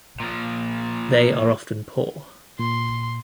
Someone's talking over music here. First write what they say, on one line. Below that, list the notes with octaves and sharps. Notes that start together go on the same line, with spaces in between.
They are often poor.
A#2 F3
A#2 C6